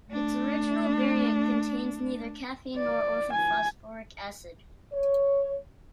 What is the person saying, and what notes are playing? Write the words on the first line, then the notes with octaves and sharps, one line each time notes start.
Its original variant contains neither caffeine nor orthophosphoric acid.
A3 D4
D5
G#5
C#5